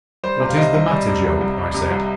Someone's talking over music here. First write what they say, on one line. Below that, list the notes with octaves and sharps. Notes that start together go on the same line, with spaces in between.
"What is the matter, Job?" I said.
G3 C5
C3
F5
C2 D#5
C2
G3
C3
C2
C2
G3
C3
C2